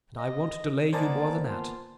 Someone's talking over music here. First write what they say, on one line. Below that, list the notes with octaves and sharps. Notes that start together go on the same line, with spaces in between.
And I won't delay you more than that.
D#5
A#3 B3 C5 D5 D#5 G#5 A5
F4